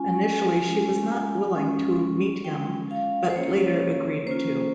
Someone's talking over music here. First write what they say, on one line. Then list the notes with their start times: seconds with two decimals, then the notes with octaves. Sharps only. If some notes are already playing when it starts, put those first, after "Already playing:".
Initially, she was not willing to meet him, but later agreed to.
Already playing: G#3 C#4 F4 G#5
0.64 G#3 C#4 F4
1.54 G#3 C#4 F4
2.45 G#3 C#4 F4 G5
2.91 F5
3.30 C5
3.36 A#3 C#4 F4 C#5
4.27 A#3 C#4 F4 C5